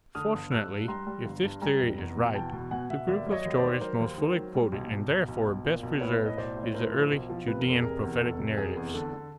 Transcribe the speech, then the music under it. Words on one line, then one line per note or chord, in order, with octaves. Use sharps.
Fortunately, if this theory is right, the group of stories most fully quoted and therefore best preserved is the early Judean prophetic narratives.
D3 D#6 F6
G1
G2 E6 F#6
G2
G3 A#5 C6
G3
G1
G2
G3 G#5 A#5
F1
E2
B2
E2 G5 A5
B2
B2 F#5 G#5
B2 E5 F#5
D#2 D5 E5
F#3
C#5 D#5
D#2
C5 D5
D#3
F#3 A#4 C5
D#2
D#3
F#3
G3
B1
B1
B1
B1
B1
A#2
B1
A2 B4 C#5
A2
D#5
B1 C5 D5
A2
C#5
A2 A#4 C5
F3
B1
F3
C3 B4
A#4
F1 A4
C3 G#4 A#4
E2
F1 A4
C3
F1 G#4
E2
D3 A4
D3